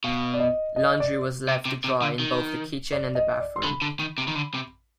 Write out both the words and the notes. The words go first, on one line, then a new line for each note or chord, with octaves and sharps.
Laundry was left to dry in both the kitchen and the bathroom.
B2 F5
D5
D#5
D#5
D5
C3
C3
C3
D3
D#3
D5
D#5
D5
C6
D3 B5
D3
D#3
C3
D#3
D3
C3